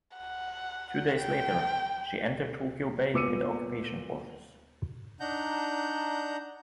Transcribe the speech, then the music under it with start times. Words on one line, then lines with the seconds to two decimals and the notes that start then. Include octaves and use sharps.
Two days later, she entered Tokyo Bay with the occupation forces.
0.18 F#5
1.17 G5
3.14 A#2 B3 D6 E6 C#7 D#7
5.20 D4 D#4 F#5 A#5 G6